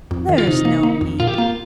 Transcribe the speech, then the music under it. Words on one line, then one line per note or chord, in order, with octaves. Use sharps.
There's no need.
F2
D#3
F4
C3 D#4
A#3
A#3
F2
A#2 F4
G4
A#3 F4